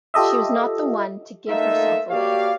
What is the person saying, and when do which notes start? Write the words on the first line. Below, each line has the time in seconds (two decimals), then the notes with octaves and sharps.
She was not the one to give herself away.
0.14 F4 G4 A4 D#5 E5
1.49 A3 A#3 D#4 F4 A4 E5
2.10 A#3 F#4 G4 C#5 D5 F5